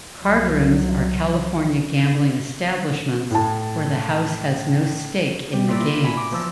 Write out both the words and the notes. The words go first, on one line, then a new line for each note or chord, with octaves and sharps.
Cardrooms are California gambling establishments where the house has no stake in the games.
C2 F#3
A2 A5
G3
A#2 E4 F4 A#4 D5 E6
E4
G#5 A#5 B5
D6
E2 F3 A5 E6